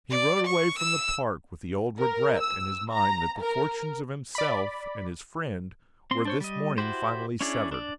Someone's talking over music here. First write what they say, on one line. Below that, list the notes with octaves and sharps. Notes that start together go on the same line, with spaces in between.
He rode away from the park with the old regret in his mind that the fortunes of himself and his friend were this morning finally severed.
D5
C#6
E6
A#4
E6
A#5
A#4
D5 B5
C4 C6
D4 C5 C#5
G3 D#5
E4 F#4 G4 C5
C#4 D4 E4 G#4 D5
D4 D5